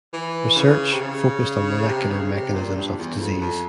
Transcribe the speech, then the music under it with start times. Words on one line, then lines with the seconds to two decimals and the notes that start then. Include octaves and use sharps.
Research focused on molecular mechanisms of disease.
0.13 E3
0.56 C#3
0.92 C3
1.01 C#3
1.87 C3
2.10 C#3
2.32 C3
2.54 A#2
2.76 G2
2.97 E2
3.19 F2
3.41 F2